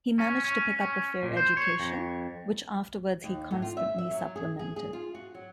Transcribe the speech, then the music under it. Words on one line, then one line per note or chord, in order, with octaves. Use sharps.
He managed to pick up a fair education, which afterwards he constantly supplemented.
C#4
C#4
C#4
A#2
C5
C#5
F2
D#2
A2
F4
E5
E5
F#3
G#4
G#4
G#4
F4
F#4
F#3